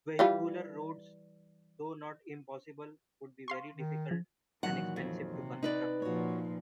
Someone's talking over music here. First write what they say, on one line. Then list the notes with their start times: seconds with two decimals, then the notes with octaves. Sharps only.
Vehicular roads, though not impossible, would be very difficult and expensive to construct.
0.19 E3 G3 F4
3.48 F5 C6 C#6
3.75 D#3
4.11 F3
4.63 A#2 D#3 E3 F#3 F#5
4.96 F2
5.31 C3
5.63 D#4 B4 D5
6.02 A#2 F3 F#4 C#5